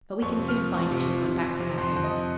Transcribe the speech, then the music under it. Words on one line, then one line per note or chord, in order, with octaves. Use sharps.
But we can soon find if she's gone back to her home.
F2 C#6
C3
F6
F3
F3 C#6
C3
F3
C3
F2
C3
F2 C6
F2
D#5